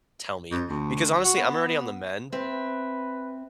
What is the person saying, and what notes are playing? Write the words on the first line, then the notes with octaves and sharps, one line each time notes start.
tell me. Because, honestly, I'm already on the mend.
F2
D2
F#4
B3
C4 B4 E5